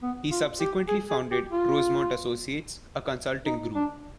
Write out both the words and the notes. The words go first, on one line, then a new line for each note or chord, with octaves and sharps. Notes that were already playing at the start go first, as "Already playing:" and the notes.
He subsequently founded Rosemont Associates, a consulting group.
B3
F4
G4
G#4
G#4
G4
F4
D#4
D4